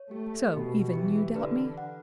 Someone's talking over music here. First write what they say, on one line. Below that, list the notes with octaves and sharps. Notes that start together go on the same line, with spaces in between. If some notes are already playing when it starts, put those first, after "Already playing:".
"So, even you doubt me?"
Already playing: C#5
A3 G4
B2 G4
E3 G4
D3 B4
F#5